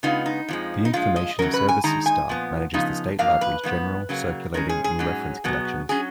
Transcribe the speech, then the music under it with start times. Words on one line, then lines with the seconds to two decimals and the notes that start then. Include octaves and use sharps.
The Information Services staff manages the State Library's general, circulating and reference collections.
0.03 C#3 G#3 B3 D#4 F4
0.26 D#4
0.48 F2 F3 G#3
0.85 D#4
0.93 A#2 F3 G#3 F4
1.16 D#5
1.39 F#2 C#3 F#3 C#4 A#4
1.54 B4
1.68 G#5
1.84 D#3 G#3 D#4 A#5
2.06 G#5
2.29 A#2 F3 B3
2.73 C#3 F3 B3 D#4
3.19 G#2 F3 A#3 F5
3.41 B4
3.63 G#2 F3 B3
4.09 C#3 F#3 A#3
4.54 D#3 G#3 C#4 A#4
4.69 G#4
4.84 G#4
4.99 G#2 F#3 C#4
5.44 B2 F#3 B3
5.89 F#3 C#4 G#4